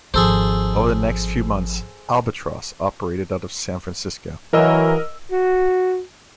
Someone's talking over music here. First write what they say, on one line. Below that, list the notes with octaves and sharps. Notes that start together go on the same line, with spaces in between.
Over the next few months, "Albatross" operated out of San Francisco.
G#1 F3 G#4 A4 C5
E3 F#3 A#4 D#5 E6
F#4